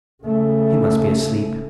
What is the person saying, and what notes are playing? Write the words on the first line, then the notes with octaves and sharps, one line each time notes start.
He must be asleep.
C#3 A3